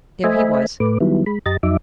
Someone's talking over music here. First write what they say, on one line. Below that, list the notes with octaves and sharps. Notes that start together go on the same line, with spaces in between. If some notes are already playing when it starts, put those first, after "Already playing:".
There he was!
A3 C5 D#5 E5 G#5 B5
A2 A3 B4 D6
D#3 F#3 G3 B3 E4
G#3 B5
F#2 G4 D#5 A#5 A6
F2 F#3 D#4 E5 D6